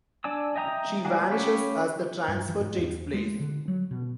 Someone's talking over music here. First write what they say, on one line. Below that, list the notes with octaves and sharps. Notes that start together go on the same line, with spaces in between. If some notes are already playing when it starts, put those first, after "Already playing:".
She vanishes as the transfer takes place.
D4 D5 G#5 E6
D#5 E5 G5 A#5 D#6
G3 G#3 A#3 F#4 G#4
C#4 G4 C#5 F5 B5
G2
E3
G#2
E2
G#3
D3
F#3
B2